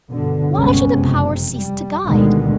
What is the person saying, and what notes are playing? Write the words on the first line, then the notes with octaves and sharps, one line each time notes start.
Why should the Power cease to guide?
G2 B2 D3
G1 D2 C3 G#3 B3 C#4
F#1 F2 C3
G3
D2 B2 D3 D#3 G3 G#3